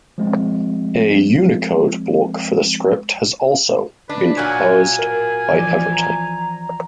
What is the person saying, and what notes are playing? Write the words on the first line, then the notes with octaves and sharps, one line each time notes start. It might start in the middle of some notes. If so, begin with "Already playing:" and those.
A Unicode block for the script has also been proposed by Evertype.
F3 G#3 C4
D4 B4
A#2 F#3 G#5
A#4
E3 F3 D5
A#5